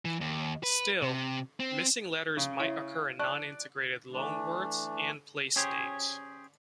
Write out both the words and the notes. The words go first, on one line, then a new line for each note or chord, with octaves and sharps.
Still, missing letters might occur in non-integrated loan words and place names.
E3
D#2
B4
C3
C4
C#3
E4 C#5 E5
D5 A5 C#6 F#6
E3 A3 D4
C#4 G4 G#4 C5 C#5